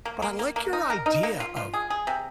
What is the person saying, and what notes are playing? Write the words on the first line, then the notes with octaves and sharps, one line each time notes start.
But I like your idea of
A#3
A#3
A#3
A#3
D#4
A#4
D#4
A#3
F4
F4
G#4
G#4
C3